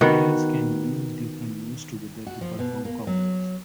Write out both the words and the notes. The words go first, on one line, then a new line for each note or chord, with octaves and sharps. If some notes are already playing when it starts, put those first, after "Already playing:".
Players can use different moves together to perform combos.
D#3 B3 F#4
F#4
F3
B2
A#3
F#3